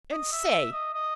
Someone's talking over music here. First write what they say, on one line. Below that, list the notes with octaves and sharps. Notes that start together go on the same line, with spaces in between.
And say!
D#5
E5
E5
D#5
D#5